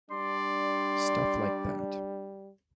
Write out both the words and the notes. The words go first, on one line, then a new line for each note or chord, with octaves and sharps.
Stuff like that.
G3 D4 D5 C6